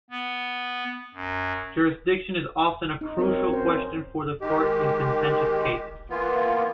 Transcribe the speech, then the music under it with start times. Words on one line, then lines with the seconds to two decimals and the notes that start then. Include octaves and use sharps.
Jurisdiction is often a crucial question for the Court in contentious cases.
0.10 B3
1.14 F#2
3.01 D#4
3.17 F#3 C4 A#4 C#5
3.50 C#4 C5
4.41 D#3 G#3 G4
6.10 E3 A#3 B3 F4